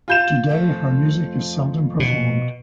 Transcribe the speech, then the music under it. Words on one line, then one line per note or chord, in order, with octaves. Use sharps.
Today her music is seldom performed.
F4 G6 E7
F2 F3 A3
B2